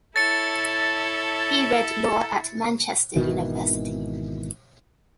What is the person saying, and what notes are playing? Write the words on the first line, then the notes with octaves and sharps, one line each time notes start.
He read law at Manchester University.
E4 A4 C#5 A5 A6 C#7
G#1 B2 D#3 E3